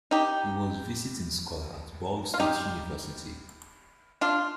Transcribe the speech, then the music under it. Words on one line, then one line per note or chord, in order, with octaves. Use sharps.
He was visiting scholar at Ball State University.
D#4 G4
F4
D#4 G4
D4 F4